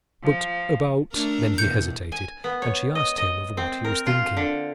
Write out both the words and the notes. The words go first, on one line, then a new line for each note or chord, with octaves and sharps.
"But about--." Then he hesitated, and she asked him of what he was thinking.
F3
A3 D4 A#4
E2 B2 G6 C#7
G#5
B3
C#5
D#5
D#5
C4
A#4
F4
D3